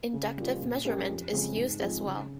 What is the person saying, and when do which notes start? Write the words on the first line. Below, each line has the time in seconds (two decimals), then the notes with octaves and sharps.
Inductive measurement is used as well.
0.13 C#3
0.38 G3 A#3 F4
0.62 A#2
0.85 G#3 C#4 G4 A#4
1.09 F2
1.32 C#3 F3 G#3 C4
1.56 G#2
1.79 F3 G#3 C4
2.04 C#3